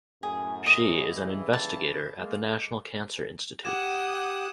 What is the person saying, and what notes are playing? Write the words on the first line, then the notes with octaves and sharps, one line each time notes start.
She is an investigator at the National Cancer Institute.
F#2 A2 G#4
D#5
G2 C#3 E3
A5
G#3 A#3
G4 F#5 G5 D6 D#6 F#6 G#6 E7
F#5